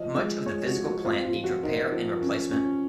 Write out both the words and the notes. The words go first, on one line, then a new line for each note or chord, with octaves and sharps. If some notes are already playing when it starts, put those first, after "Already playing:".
Much of the physical plant needs repair and replacement.
Already playing: F3 D#5
G#3
G#3 C#5
F#4
F3
F#4
C4 F4
F4
F3
F#4
D#4 A#4
F3
C#4
C#4